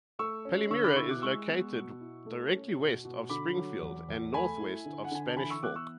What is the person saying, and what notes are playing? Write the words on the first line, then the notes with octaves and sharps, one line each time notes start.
Palmyra is located directly west of Springville and northwest of Spanish Fork.
A3 C#6 E6
C#4
D3 C#6 E6
B5 D6
E4 C#6 E6
D6 F#6
G#3 C#6 E6
B3
B2
E4
A3
C#4
B2
B2
D3 B5 D6
F#3
E2
E2
A3 G#5 B5
E4
D3
F#5
D3 G#5
A5
E3 G#5 B5
C#6 E6
B3 D6 F#6
C#6 E6